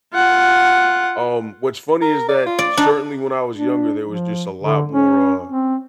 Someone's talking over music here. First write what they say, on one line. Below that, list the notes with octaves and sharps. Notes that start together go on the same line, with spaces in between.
um, what's funny is that certainly when I was younger, there was just a lot more, uh
F4 F#5
A#4
D5
F4
D5
D4 D#4
D4
F3
D3
C#4
C4